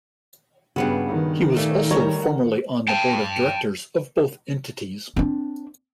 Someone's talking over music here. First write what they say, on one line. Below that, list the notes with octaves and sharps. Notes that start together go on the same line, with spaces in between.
He was also formerly on the Board of Directors of both entities.
G2 C#3 B3 F#4
D#3
A#2 A3
G3 A3 A#4 C#5
F#5
G5 A5
C4 D4